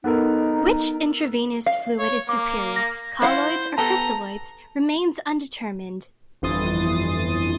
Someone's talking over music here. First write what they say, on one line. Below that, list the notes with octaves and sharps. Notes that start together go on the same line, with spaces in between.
Which intravenous fluid is superior, colloids or crystalloids, remains undetermined.
B3 D#4 A4 A#4
F5
C#5
A#3 D6
A#6
E4 C5 F5 F#5
B3 G4 A4 A5 A#5
G1 F2 E3 C6 D#6 A6